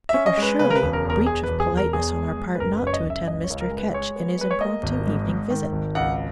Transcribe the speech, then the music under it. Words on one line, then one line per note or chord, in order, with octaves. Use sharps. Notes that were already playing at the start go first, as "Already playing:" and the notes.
It were surely a breach of politeness on our part not to attend Mr. Ketch in his impromptu evening visit!
E5
C#4
D#5
G#3
B4
C#3 B4
A#4
B4
E1
A#4
E2 A#4
E1 G#4
E1 B4
G#4
E1
A#4
E2 G#4
G#3
G#3
B4
F#1 A#4
B4
F#1 C#5
D#5
F#1
E5
C#2 D#5
C#5
C#2
A#4
G#3
B4
G#3 C#5
B3
G#3 B4
C#5
A#3 D#5
G#1
G#2
G#2
D#3
G#1
C#2 F#5